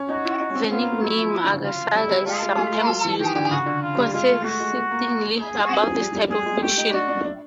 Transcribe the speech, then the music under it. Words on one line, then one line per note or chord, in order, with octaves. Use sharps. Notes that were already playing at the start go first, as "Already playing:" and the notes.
The nickname "Aga saga" is sometimes used condescendingly about this type of fiction.
Already playing: C#4
D#4 F#4
E4
D#4
C#4
C4
B3 F4
A#3
A3
F#3 E4
F3
E3
D3
C#3
F#3 F4
G3 E4
G3
G#3 F4
G#3
A3
G#3
F#3
E3
D#3 G4
D3
C#3 F#4
D3
F4
G3
G#3 F4
A3
A3 F#4
G#3
A3
A#3
G#4
C4
F#3
F3
G3
G3
G3 G#4
G#3
A3 G4
D#4
D4 F#4
D4
D4